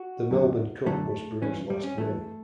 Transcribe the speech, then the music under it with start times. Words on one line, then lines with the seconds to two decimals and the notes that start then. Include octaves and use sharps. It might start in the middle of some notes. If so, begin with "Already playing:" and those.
The Melbourne Cup was Brew's last win.
Already playing: F#4
0.31 F#2 D3 F#3
0.86 F#2 D3 F#3 A3
1.42 G2 E3 C#4
1.70 G3
1.83 C#4
1.97 G2 E3 A3